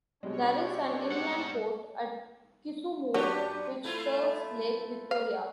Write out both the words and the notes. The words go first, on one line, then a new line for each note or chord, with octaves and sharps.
There is an inland port at Kisumu which serves Lake Victoria.
B2 G3 G#3 C4 D4 C#5
G#2 F#5
F#2 D4 F#4 G4 C#5
A3 E4 F4
F5